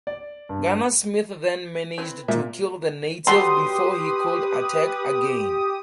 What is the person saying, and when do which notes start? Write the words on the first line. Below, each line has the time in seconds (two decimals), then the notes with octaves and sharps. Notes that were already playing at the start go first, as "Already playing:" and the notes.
Gunner Smith then managed to kill the native before he could attack again.
0.07 D5
0.49 G2
1.98 C4 E4 B4
2.28 A#2 E5
3.27 F#3 G3 A3 G4 B4 C6 D#6